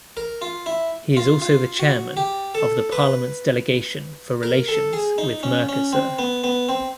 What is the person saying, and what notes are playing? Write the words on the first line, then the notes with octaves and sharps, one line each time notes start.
He is also the chairman of the parliament's delegation for relations with Mercosur.
A#4
F4
E4
F4
F4
F#4
G4
A4
B4
A#4
A4
G#4
D#4
C#4
C#4
C4
B3
B3
C4